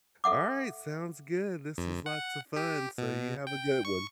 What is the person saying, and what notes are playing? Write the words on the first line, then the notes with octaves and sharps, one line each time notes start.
Alright, sounds good. This was lots of fun, so you have a good one.
A4 E5 F#5 D6
F2
F#5
G4
B2
G5
C#6